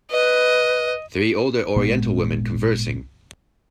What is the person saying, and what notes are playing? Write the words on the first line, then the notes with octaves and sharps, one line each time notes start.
Three older oriental women conversing.
B4 D#5
G#1 A#2 G#3 B3